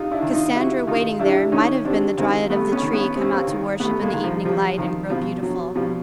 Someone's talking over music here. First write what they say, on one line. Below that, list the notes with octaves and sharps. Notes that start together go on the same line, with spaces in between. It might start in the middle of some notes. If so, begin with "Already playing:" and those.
Cassandra waiting there might have been the dryad of the tree come out to worship in the evening light and grow beautiful.
Already playing: C3 D#4 F4
D4 E4
D#3
D#4 F4
C3 E4 F#4
D#3 D#4 F4
C3 D4 E4
D#3 C#4 D#4
C3 C4 D4
D#3 A#3 C4
C3 A3 B3
B3 C#4
D#3
B3 C#4
C3 C4
C#4
A#3 C4
D#3
C3 A3 B3
G#3 A#3
D#3
F3
C3 F3
D#3 F3
B2 F3
F#3
B2 F3 G3